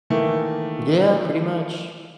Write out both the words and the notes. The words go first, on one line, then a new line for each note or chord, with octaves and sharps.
Yeah. Pretty much.
D#3 E3 A3 A#3